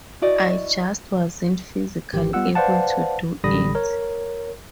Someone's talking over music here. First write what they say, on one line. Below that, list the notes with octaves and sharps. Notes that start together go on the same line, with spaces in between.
I just wasn't physically able to do it.
E4 F#4 D5 D#5
G#1 D#3 G4
G3 B3 F4 F#5 E6
B4 C5 D5 F5 F#5 A5
A1 D3 G3 B5 D#6 A#6
A#4 C#5